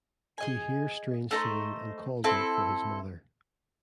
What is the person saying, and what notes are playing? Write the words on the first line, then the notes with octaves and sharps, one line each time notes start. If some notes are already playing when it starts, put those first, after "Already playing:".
He hears strange singing and calls out for his mother.
G#4 D#5 G#5
A3 D#4 A4 C5
C4 E4 A4